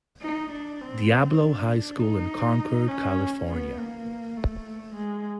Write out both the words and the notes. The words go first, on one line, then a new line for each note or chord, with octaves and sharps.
Diablo High School in Concord, California.
D#4
D4
C4
D4
D#4
C#4
B3
A#3
A3
G#3